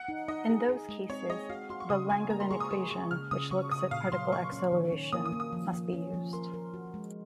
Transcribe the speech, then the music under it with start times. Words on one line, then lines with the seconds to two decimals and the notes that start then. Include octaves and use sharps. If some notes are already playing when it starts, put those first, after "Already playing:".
In those cases, the Langevin equation, which looks at particle acceleration, must be used.
Already playing: F#5
0.08 D#4
0.28 D#4 D#5
0.49 G#4
0.69 G#4
0.89 G#3
1.10 C4 C#5
1.30 G#4 D#5
1.49 F#4 F5
1.70 F#4 C6
1.80 C#6
1.90 C#3 D#6
2.10 G#3 G#5
2.30 A#3 A#5
2.40 C6
2.51 G#4 C#6
2.60 D#6
2.71 G#4 C#6
2.90 G#4 C#6
3.11 C#3 F6
3.31 C#3 D#6
3.51 C#3 C#6
3.71 C#3 D#6
3.91 A#2 F5
4.12 F#3 C6
4.32 A#3 C#6
4.52 C#4
4.72 D#3
4.92 C#4
5.12 A#3 D#6
5.26 D#6
5.32 A#3
5.40 D#6
5.53 F3
5.73 F3
5.93 C#4
6.14 F3
6.33 A#4 C6
6.54 A#4
6.74 F#4
6.94 G#3